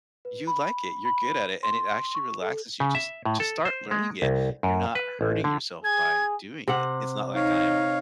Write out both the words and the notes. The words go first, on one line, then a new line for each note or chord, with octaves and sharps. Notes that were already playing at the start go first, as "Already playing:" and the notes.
you like it, you're good at it, and it actually relaxes you, just just start learning it. You're not hurting yourself by doing it," it's not like I'm,
B4
B5
B5
C6
C#6
A4
C#3
E5
A2
A4
C5
G#3
C2
F#2
B4
A1
D3
G#4 G#6
C3 F#5
D#4 C#5 F5